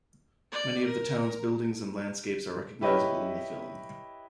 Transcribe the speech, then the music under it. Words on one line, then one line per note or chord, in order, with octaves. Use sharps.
Many of the town's buildings and landscapes are recognizable in the film.
D5
A#4
E4 G4 B4 C#5 D#5 E5